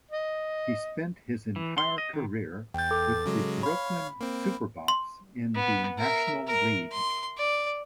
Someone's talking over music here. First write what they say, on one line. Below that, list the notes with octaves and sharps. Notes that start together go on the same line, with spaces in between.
He spent his entire career with the Brooklyn Superbas in the National League.
D#5
E3
C6
D#5
D#3
E2 G5 G6 A6
A4 D6
C#3 F#3 G#3
C#5 F5 B5
A#3 C4
C6
B3
A#4 E5
A#4
C6
D5